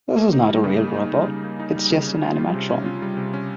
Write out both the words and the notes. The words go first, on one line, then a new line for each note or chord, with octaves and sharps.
This is not a real robot, it's just an animatron.
A#3
D#4
G3
C#3
A#3
D#4
G3
C#3
A#3
D#4
G3
C#3
C#4
F4
G3
C3
C#4
F4
G3
C3
C#4